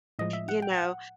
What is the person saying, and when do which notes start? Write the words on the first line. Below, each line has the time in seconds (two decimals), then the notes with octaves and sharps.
You know?
0.19 A2 F3 G#3 D#5
0.33 E5
0.48 F#5
0.62 G5
0.78 F#5